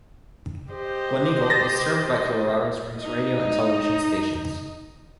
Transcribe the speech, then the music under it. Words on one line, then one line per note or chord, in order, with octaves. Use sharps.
Gleneagle is served by Colorado Springs Radio and Television stations.
G4 C5 D#5
A6 A#6
D#4 D#5